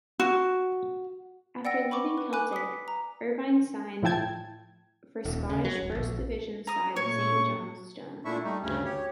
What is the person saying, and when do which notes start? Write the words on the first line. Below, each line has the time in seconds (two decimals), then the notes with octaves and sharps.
After leaving Celtic, Irvine signed for Scottish First Division side Saint Johnstone.
0.20 F#4
1.65 D5 F#5 G5 E6 A#6
1.91 B5 C#6 D6
2.18 B4
2.33 G#5 B5 D6 F#6
2.53 D#6 B6
2.88 A#5
4.02 A2 F3 E4 G5 A5 G#6
5.25 D#1
5.49 C#3
5.64 F#3
5.82 D1
5.95 A#1
6.67 A#5 D#6
6.96 A#2 A3 C#5 C#6
8.25 A#2 A3 D4 E4 E5 C#6
8.44 G3 A3 D#4
8.62 D2 G2 C#3 C#4
8.85 G4 C#5